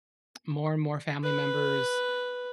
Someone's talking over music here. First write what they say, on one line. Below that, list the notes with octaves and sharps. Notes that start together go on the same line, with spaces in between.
more and more family members,
B4